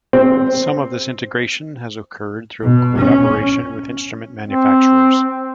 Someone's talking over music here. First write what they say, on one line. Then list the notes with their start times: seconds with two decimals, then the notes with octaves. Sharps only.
Some of this integration has occurred through collaboration with instrument manufacturers.
0.13 C4
2.63 B2
2.99 C#4
4.47 C4